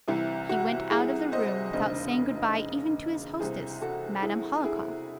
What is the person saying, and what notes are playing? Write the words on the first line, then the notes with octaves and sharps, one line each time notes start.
He went out of the room without saying good-by even to his hostess, Madame Hohlakov.
C2 C3 E3 E4
F#4
E4 G#4
C5 D#5
E1 D#2 C#3 C5 D#5
C2 C3 E3 G#4 C5
F#4 A4
E4 G#4
E4 G#4